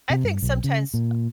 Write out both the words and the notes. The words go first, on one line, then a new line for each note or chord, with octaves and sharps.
I think sometimes
C3
G2
B1
C#3
A#2